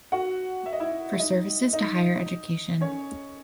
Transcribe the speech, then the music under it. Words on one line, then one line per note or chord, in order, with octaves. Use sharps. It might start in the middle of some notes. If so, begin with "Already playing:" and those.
For services to Higher Education.
F#4 F#5
E5
D#5
E4 E5
D#4 D#5
D#4 D#5
C#4 C#5